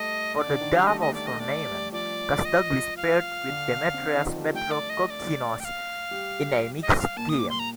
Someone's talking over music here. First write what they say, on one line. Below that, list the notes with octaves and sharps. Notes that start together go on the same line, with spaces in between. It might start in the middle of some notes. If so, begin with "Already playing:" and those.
For the doubles tournament, Kasdaglis paired with Demetrios Petrokokkinos in a mixed team.
Already playing: G3 A3 G4 A4 D#5
D3 D4 D#5
D5
D3 D4
D#3 D#4
G3 G4 F5
A3 A4 D#5
A3 A4 D#5
A3 A4 D5
A3 A4 D#5
A3 A4 D5
G3 G4
F3 F4 D5
D#5
F5
D3 D4
C4
D3 D4
D#3 D#4
F3 F4
A4
G3 G4
A3 A4 G5
D5
D#5
D#5
D5
G5
F5
G3 G4
D#5
F5
A#2 A#3 A5
D#6
D6
C6
A#5